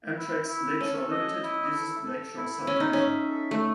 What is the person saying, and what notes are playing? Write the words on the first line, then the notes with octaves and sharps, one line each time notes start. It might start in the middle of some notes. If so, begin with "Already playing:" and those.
Amtrak's "Lake Shore Limited" uses the Lake Shore Subdivision.
E4
E4
C#4 A4
D#5
E4
A4
A4
E4
C#4 E5
D#4
C#4
E5
A4
A3